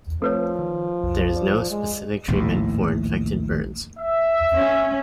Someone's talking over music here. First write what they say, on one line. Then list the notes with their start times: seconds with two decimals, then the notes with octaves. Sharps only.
There is no specific treatment for infected birds.
0.22 F3 A3 C4 A4 B4 C#5
0.59 D#3
1.04 B1 F2
1.36 D5
1.71 G#3
2.29 A#1 D#2 A2
3.99 E5
4.54 C#4